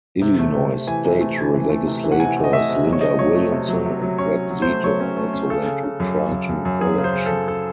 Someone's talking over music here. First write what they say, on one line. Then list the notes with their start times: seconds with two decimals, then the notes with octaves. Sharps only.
Illinois state legislators Linda Williamson and Greg Zito also went to Triton College.
0.22 C3
0.39 A3
0.55 C3
0.71 C3
0.87 E3 G#5
1.04 C3
1.21 A3
1.38 E3
1.54 E3
1.70 A3
1.87 C3
2.04 E3
2.12 F#5
2.20 C3 G#5
2.37 A3
2.44 D#5
2.53 A3 E5
2.69 C3
2.86 F#3 D#5
2.93 C#5
3.01 A3 D#5
3.19 F#3 C#5
3.35 A3
3.52 C3
3.69 F#3
3.85 C3
4.02 F#3
4.18 C#4 C#5
4.34 F#3
4.50 F#3
4.62 C5
4.67 A3
4.84 F#3 C#5
5.00 C#4
5.17 A3
5.33 C#4
5.50 C#3 A4
5.66 C#3
5.83 C#3
6.00 F#2
6.16 C#3
6.32 F#2
6.49 F#2
6.65 F#2
6.81 F#3 G#4
6.98 C#3
7.04 C5
7.15 C#3
7.26 A4
7.32 F#2
7.48 A4